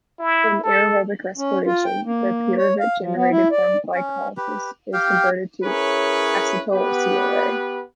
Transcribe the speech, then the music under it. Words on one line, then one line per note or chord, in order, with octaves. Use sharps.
In aerobic respiration, the pyruvate generated from glycolysis is converted to acetyl-CoA.
E4
A4
C#4
F4
G5
A#3
C#5
F5
F3
B3
E4
D5
C#4
G4 B4
G4 F5 G5
C#4 E4 G#4 A#4 B4 C#5
B3 G4 B4